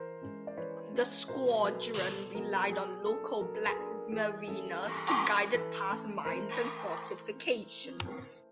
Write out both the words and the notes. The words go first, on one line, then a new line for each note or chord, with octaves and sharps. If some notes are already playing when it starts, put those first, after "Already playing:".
The squadron relied on local black mariners to guide it past mines and fortifications.
Already playing: E3 A#4 C5
G#3 C#4 E4
D5
E3 B4 C#5
G#3 C#4 E4
B2 A#4 C5
F#3 B3 A4 B4
B2 A4
F#3 B3 G#4 A#4
F#3 G#4
A#3 D4 A4
F#3 A#4
B4
G#4 A#4
A#3 D4
E3 G#4
G3 A#3 C#4 E4 A4
E3
G3 A#3 C#4 E4
E3 A4 B4
A3 C#4
E3 A#4 C5